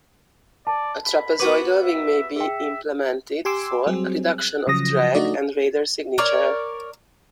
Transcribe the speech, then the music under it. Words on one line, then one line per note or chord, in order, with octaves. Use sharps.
A trapezoidal wing may be implemented for reduction of drag and radar signature.
D5 A5
B5
B3 F#4 B4 D6
E5
G#4 E5 G5
G4 G#5 C6 D6 E6
F#3 G3 C4 G#4
F#6
C#3 F3 F#3 D#6 A#6
A3 D4 D#4 F#4 D5 D#5
A#4 C#5 D5